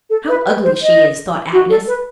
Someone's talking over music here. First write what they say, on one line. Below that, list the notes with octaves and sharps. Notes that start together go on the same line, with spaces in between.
"How ugly she is!" thought Agnes.
A4
B4
B4
C5
D#5
F#4
A4
B4